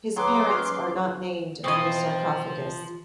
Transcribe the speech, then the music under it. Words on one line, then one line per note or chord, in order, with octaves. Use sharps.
His parents are not named on the sarcophagus.
F#3 G#4 B4 C6 D6
C#4
B2 E3 F3 C4 D#5 C#6 D#6